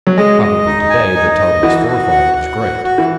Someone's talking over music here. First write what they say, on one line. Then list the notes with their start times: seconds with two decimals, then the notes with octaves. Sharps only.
Probably to-day the total is four-fold as great.
0.07 F#3
0.17 G#3 D#5
0.42 D#5
0.66 D#4
0.89 G#5
1.14 D#4
1.39 D#5
1.63 E3 F#4
1.87 F#4
2.11 F#5
2.36 F#5
2.59 F#4
2.84 F#4
2.98 E3